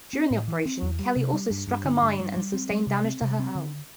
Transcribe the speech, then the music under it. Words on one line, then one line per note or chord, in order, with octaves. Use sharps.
During the operation, "Kelly" also struck a mine and sustained damage to her hull.
C4
A2
E3
C4
E2
G3
C3
G3
G2
G2
D3
G2
G3
G3
C4
G3
C3
C4
C3
C4
D3